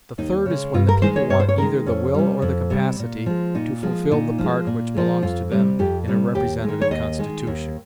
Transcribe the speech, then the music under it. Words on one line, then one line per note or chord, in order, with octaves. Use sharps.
The third is when the people want either the will or the capacity to fulfill the part which belongs to them in a representative constitution.
D#2 D#4
C#3 G#3
G2 F4
A#4
D#3 G#3 C5
C#5
G2 C#5
C5
C#5
D#3 G#3 A#4
F2 C#4
C3 G3
F2
C3 G3
A#2
F3 G#3
A#2 D#4
F3 G#3
A#2 D#4
F3
G#3
A#2
F3 G#3
F2 F4
C3 G3
F2 G4
C3 G3
D#2 G4
D#3 G#3
C#5
D#2 D#5
D#3 G#3
D#2